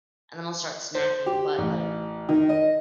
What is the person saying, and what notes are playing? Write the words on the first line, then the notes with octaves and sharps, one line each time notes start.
and then I'll start snacking, but, like,
C5
G4
A1
D#3
D#5